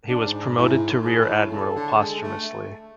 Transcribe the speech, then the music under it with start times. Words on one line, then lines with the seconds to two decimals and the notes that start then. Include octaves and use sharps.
He was promoted to Rear-Admiral posthumously.
0.09 D4
0.25 G#2
0.56 G#2 E4
0.89 A2
1.04 G#4
1.21 A2
1.52 C#3 A4
1.76 D3
2.00 G#3
2.23 A3